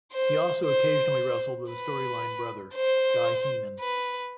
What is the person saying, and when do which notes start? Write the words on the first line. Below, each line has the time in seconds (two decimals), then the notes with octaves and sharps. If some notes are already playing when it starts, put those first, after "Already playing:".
He also occasionally wrestled with a storyline "brother" Guy Heenan.
0.13 C5
0.65 C5
1.70 B4
2.75 C5
3.80 B4